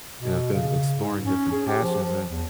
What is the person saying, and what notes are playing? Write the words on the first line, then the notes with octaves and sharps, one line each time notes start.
and I've been exploring different passions, and
B2
C#3
G#2
C#4
G#4
G4
F3
F3
E2